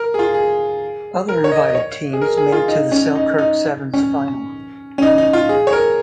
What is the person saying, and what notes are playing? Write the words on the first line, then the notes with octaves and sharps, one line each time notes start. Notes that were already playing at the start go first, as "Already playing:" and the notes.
Other invited teams made it to the Selkirk Sevens final.
Already playing: A#4
G#4
F4
G#4
A#4
C#5
D#5
D#5
C#5
G#4
A#4
G#4
F4
D#4
C#4
D#4
D#4
C#4
C#4
D#4
D#4
F4
G#4
C#5
A#4